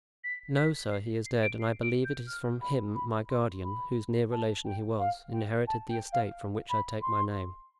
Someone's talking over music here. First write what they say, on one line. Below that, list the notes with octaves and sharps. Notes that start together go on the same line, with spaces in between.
"No, sir, he is dead; and I believe it is from him my guardian, whose near relation he was, inherited the estate from which I take my name."
B6
B6
C7
C7
D7
C7
D7
G6
F6
B5
B5
C6
B5
A5
G5
F5
G5
A5
G5
F5
B5
C6